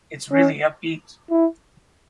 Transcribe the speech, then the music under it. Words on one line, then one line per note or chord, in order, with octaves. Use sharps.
It’s really upbeat.
C#4
E4